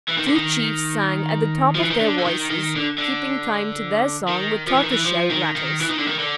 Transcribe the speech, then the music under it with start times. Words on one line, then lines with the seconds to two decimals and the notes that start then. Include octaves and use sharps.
Two chiefs sang at the top of their voices, keeping time to their song with tortoise-shell rattles.
0.09 E3
0.18 D#3
0.27 D3
0.36 D#3
1.75 F3
1.83 E3
1.91 D#3
2.00 D3
2.19 D3
2.25 D#3
2.50 D#3
2.76 D3
2.98 D3
4.29 D#3
4.67 F3
4.75 E3
4.83 D#3
4.91 E3
5.05 F3
5.30 D#3
5.56 D#3
5.81 E3
5.90 D#3
5.99 D3
6.08 D#3
6.20 D3